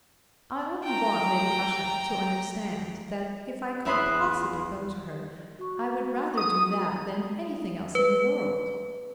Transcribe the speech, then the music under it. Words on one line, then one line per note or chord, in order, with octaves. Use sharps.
I only want Lady Ushant to understand that if I could possibly go to her I would rather do that than anything else in the world.
G5 A#5
E2 E5 B5 C6 D#6 F#6
F#4 C#6
D#6
B4